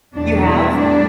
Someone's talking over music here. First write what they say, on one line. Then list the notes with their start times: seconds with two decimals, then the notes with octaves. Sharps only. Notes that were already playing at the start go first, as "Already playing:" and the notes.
You have?
0.14 E2 B2 G3 D4
0.45 E4
0.76 A2 G3 D4